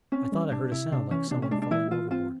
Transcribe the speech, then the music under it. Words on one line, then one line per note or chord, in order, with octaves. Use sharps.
I thought I heard a sound like some one falling overboard.
C4 C#4
G3
C3 D4
C3 E4
C3 D4
E3 C#4
C3 D4
C#4
G#3 D4
D4
E3 E4
E3 F4
C4 F4